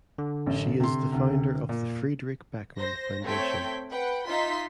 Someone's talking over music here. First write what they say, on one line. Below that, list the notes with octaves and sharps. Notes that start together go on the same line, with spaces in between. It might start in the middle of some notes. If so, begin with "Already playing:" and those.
She is the founder of Friedrich Beckmann Foundation.
D3
A1 F#2
C3 C6
D2 C3
A#2
C5 A#6
A3 C4 C#5 G5 G#6 B6
B4 F#5 G5
D#4 F4 E5 C6 B6